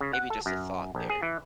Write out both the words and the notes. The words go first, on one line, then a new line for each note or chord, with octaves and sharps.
maybe just a thought there.
C#3
F#5
A4
F#2
A#1
G#4
E3